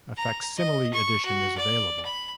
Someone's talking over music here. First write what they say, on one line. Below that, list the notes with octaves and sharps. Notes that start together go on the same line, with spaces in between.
A facsimile edition is available.
A#5
D#5
C#6
F#4
D5
B5